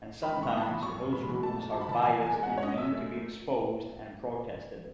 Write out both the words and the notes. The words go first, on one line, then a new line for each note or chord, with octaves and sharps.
And sometimes those rules are biased and need to be exposed and protested.
G#2 B5
G#2 C#6
B3
A5
B5
E3
F#2 C#6
F#2
G#3 B5
E3
A3 A5
F#2
F#3 A5
B5
D#3 A5
E2 G#5
E2
G#5
G#3
B2 F#5
C#5
C#4 D#5
F#2 E5
A3